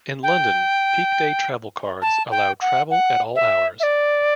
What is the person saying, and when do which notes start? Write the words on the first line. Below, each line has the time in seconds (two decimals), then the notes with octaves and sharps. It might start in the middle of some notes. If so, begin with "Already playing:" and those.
In London, Peak Day Travelcards allow travel at all hours.
0.23 G5
2.02 A5
2.31 G5
2.61 F#5
2.91 F#5
3.35 E5
3.80 E5
3.83 D5